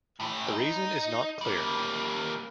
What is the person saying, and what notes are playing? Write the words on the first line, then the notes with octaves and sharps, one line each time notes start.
The reason is not clear.
A2 E3
D#4
G3 A#3